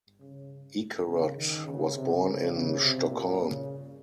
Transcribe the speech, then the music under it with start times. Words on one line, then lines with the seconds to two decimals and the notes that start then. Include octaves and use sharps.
Ekerot was born in Stockholm.
0.19 C#3
1.07 C#3
1.36 D#3
1.65 C#3
1.94 C3
2.23 C#3
2.52 C#3
2.81 C3
3.10 A#2
3.39 C#3